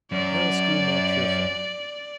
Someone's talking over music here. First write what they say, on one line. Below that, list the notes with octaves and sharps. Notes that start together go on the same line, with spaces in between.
Harris grew more cheerful.
F#2 D5